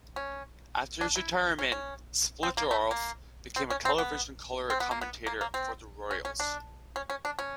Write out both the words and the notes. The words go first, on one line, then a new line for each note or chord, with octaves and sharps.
After his retirement, Splittorff became a television color commentator for the Royals.
C#4
D4
E4
C#4
C#4
C4
A#3
A3
A#3
C4
C#4
C4
B3
C4
B3
A#3
B3
A#3
A#3
C4
C#4
C#4
D4
C#4
C#4
D4
C#4